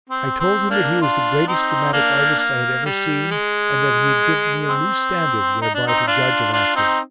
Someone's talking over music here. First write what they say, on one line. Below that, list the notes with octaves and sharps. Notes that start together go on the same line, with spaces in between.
I told him that he was the greatest dramatic artist I had ever seen and that he had given me a new standard whereby to judge of acting.
C4
C4
A#3 D4
D4 F4
C4 D#4
A#3 D4
A#3
G3
G#3
C4
D#4
D4
C4 D#4
D4 F4
D4 F4
C4 D#4